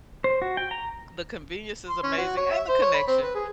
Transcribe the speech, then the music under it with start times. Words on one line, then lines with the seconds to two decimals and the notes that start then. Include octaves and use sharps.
The convenience is amazing, and the connection.
0.24 C5
0.42 F#4
0.57 G5
0.71 A#5
1.89 C6
2.03 C#4
2.17 F#4
2.37 C#5
2.51 E5
2.69 C5
2.82 C#5
2.94 B5
3.07 C4
3.22 B4
3.35 G#4